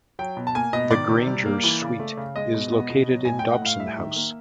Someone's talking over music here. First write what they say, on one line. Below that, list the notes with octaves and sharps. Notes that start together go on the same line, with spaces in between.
The Grainger Suite is located in Dobson House.
F#3 G5
B2
A5
A#3 G#5
B2 D#5
D#3 D5
C3
G3
A#3
E3
C#3
A3
C#3
G#3 D#5
B2
B3
B2
F#3
A2 G#5
A3 G5
F#5
A2 F5
G3 E5
D#3
A#3